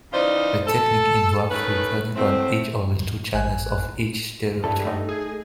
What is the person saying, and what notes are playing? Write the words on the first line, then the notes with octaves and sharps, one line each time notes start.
The technique involved recording on each of the two channels of each stereo track.
C#3 E3 D#4 F4 C5 D5
A4
D#3 A3 C#4 B4
E2 A2 A3 C4
A1 G#5 F#6
G2 E4 A4
A3 D#4
G#4